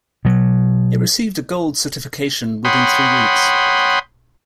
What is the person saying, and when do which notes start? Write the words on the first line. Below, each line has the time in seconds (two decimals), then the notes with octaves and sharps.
It received a Gold certification within three weeks.
0.25 B2 F#3
2.65 C#5 F#5 G5 B5 C6 D#6